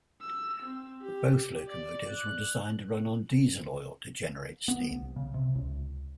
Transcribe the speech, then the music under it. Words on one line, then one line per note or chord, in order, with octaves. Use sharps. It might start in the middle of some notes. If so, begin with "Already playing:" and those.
Both locomotives were designed to run on diesel oil to generate steam.
E6
C4
G4
D5
F#6
B3
C2
C#3
C3
C#2